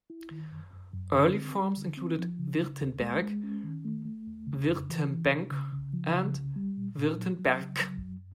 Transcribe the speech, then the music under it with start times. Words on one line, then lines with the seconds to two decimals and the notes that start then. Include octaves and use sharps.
Early forms included "Wirtenberg", "Wirtembenc" and "Wirtenberc".
0.10 E4
0.31 D#3
0.51 F#2
0.73 F#2
0.93 F#2
1.14 D3
1.35 C4
1.56 G3
1.77 D3
1.97 C4
2.18 F3
2.39 C#3
2.59 C#3
2.80 D2
3.01 G#3
3.22 G#3
3.43 C#4
3.64 D#3
3.85 A3
4.05 A3
4.27 D#2
4.47 C#3
4.68 F2
4.89 E3
5.10 E3
5.31 C3
5.52 C#3
5.72 C#3
5.93 F3
6.14 C#3
6.35 C2
6.56 G3
6.77 A#2
6.98 A#2
7.18 F#3
7.39 F#3
7.60 C#3
7.81 F#3
8.01 F#2